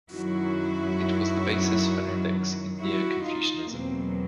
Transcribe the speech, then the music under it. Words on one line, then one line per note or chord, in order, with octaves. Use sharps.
It was the basis for ethics in neo-Confucianism.
F#2 D#3 F#3 E4 F#4
E4 F#4
D#4 F4
E2 B2 F#3 A#3 C4